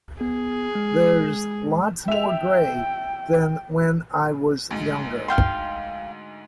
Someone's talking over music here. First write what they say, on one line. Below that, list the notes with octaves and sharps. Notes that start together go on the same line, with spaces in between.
There's lots more grey than when I was younger.
B3 G#4
G#3
E5 G5 F7
D2 G#2
F5 G5 C6